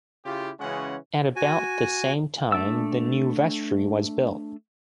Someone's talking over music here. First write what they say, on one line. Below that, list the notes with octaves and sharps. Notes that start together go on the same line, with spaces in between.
At about the same time, the new vestry was built.
C#3 E4 F4 G4
C#3 E3 G#3 C#4 F#4 F#5
F#4 G#5
A3 D4 E6